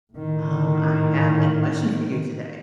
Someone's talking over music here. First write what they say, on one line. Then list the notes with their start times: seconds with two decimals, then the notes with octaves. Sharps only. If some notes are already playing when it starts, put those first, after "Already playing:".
Um, I have a question for you today.
0.13 A2 D#3